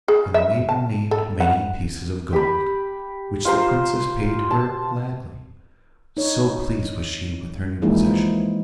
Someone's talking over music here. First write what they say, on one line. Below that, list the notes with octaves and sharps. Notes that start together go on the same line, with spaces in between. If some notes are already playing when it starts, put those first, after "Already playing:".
And the maiden named many pieces of gold, which the princess paid her gladly, so pleased was she with her new possessions.
G#4
E5
A5
A4
F#5
G4 B5
F4 G4 C5 A#5
A5
D#4 C#5
E3 F3 G#3 A#3 D#4 E4